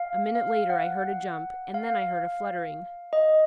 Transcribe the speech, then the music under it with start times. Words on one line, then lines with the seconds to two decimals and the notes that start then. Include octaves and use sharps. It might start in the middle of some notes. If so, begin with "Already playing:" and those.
A minute later I heard a jump, and then I heard a fluttering.
Already playing: F5
0.35 F5
0.70 F#5
1.74 F5
3.13 D#5